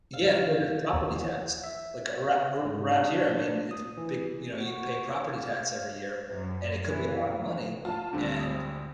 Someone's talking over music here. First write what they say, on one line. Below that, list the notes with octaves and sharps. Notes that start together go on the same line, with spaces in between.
Yeah, well, just property tax, like, aroun around here, I mean, it's big, you know, you pay property tax every year, and it could be a lotta money, and
F5
D#2
E3
E5
G#2
D4
D#6
E3
F#4
F5
F#2
E3
F#3
F4 A5
D2 D3 G3 C4
D#6